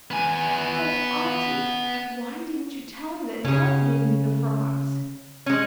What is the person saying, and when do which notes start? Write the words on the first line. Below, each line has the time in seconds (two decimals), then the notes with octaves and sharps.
"Oh, Auntie! why didn't you tell me that Helen gave me the frocks?"
0.11 B3 G#5
3.45 C#3 C#4 G#4
5.46 G#3 C#4